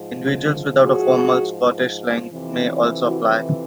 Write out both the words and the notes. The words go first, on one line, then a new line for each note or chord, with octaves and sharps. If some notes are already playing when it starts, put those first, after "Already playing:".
Individuals without a formal Scottish link may also apply.
Already playing: G#2 F3
F#4 G#4
F2 C3 E3
E4 F#4